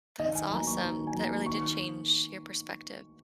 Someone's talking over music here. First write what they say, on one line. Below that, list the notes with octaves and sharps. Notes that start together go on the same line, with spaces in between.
That's awesome. That really did change your perspective.
D#3 D#5
G#5
F#3 A#3 A#5
C#6
D#3 A#5
G#5
F#3 A#3 A#5
D#3 C#6